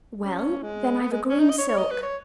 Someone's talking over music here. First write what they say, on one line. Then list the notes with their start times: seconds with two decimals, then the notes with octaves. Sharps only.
'Well! then I've a green silk.
0.24 C#4
0.62 G#3
1.01 B3
1.11 G#3
1.29 C#4
1.40 D#4
1.50 D#5
1.58 C#5
1.69 C#5
1.78 D#5
1.91 B4
2.03 C#5